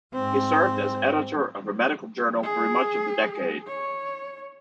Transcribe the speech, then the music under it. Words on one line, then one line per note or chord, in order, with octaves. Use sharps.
He served as editor of a medical journal through much of the decade.
G#2 C4
G#4
C#5